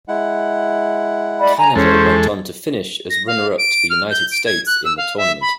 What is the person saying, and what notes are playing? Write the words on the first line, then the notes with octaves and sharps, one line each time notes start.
Canada went on to finish as runner-up to the United States in the tournament.
G#3 E4 F#5
D5 B5
G#5 A#5
E2 G#3 C#4 A4 C5
A#6
F5
D7
F6
G6
D7
G#6
F#6
E6
F5
E5
B5